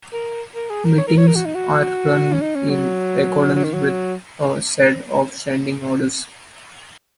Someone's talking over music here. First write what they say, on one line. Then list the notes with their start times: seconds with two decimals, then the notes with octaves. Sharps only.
Meetings are run in accordance with a set of standing orders.
0.13 A#4
0.55 A#4
0.70 G#4
0.84 A#4
0.98 C#5
1.07 A#4
1.18 C#5
1.27 A#4
1.36 F#4
1.45 D#4
1.55 F#4
2.33 C#4
2.41 D#4
2.55 C#4
2.70 F#3
3.55 F#3
3.64 D#3
3.74 F#3